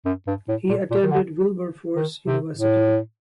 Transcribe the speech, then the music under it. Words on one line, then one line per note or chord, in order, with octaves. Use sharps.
He attended Wilberforce University.
F#2
G2
A2
A#2
A#2
D#3
D3
D#3
C3
A2